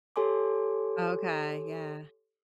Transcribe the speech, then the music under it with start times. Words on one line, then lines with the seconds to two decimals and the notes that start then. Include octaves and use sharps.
Okay, yeah.
0.16 G4 A4 C#5 G#5 C6 D6